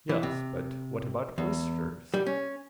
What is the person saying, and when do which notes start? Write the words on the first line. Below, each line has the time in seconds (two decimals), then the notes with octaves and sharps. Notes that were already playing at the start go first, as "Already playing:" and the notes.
Yes but what about oysters.
0.09 E3
0.23 C3
1.38 E2
2.14 G3
2.26 C#4